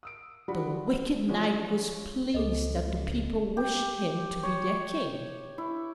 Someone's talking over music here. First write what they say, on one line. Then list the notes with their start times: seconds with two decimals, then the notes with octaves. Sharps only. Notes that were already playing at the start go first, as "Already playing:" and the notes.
The wicked knight was pleased that the people wished him to be their king.
0.03 D#6 E6 D7
0.48 F3 G3 D4 F#4 B5
1.28 E3 F3 C#4 D4
2.34 C#2 G#4 A4 D#5
3.57 G4
4.43 C#5
5.58 E4